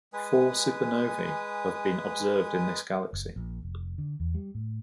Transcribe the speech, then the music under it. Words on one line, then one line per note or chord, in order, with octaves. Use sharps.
Four supernovae have been observed in this galaxy.
G#3 B4 G#5 D#6
F#1
A#1
F1
D3
E2
G3
A2